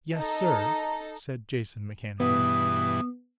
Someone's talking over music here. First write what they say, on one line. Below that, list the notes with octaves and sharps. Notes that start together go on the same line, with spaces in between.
"Yes, sir," said Jason mechanically.
D#4 A4
G2 B2 E3 B3 D#6